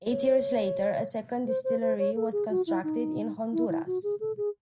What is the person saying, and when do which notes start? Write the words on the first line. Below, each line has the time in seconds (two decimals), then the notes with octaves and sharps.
Eight years later a second distillery was constructed in Honduras.
0.10 C#5
1.47 C5
1.64 C5
1.81 C5
1.99 C#5
2.16 A4
2.32 G#4
2.50 F#4
2.67 E4
2.84 D#4
3.53 E4
3.70 E4
3.86 F#4
4.03 G#4
4.20 A4
4.37 G#4